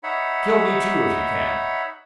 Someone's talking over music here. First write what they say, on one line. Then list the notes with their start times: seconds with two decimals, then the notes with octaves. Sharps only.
Kill me too, if you can.
0.03 D#4 C#5 E5 F#5 B5